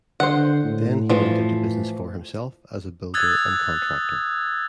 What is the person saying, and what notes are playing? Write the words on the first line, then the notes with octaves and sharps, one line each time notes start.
Then he went into business for himself as a builder and contractor.
D3 C5 F#5
A2
E3 F3
D#6 E6 F#6 G#6 A6